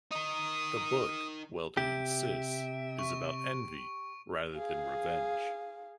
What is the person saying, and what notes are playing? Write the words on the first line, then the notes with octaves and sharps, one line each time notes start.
The book, Weldon insists, is about envy, rather than revenge.
D#4 A#4 D#6
C3 G4 E5 D7
C#6
G#4 F5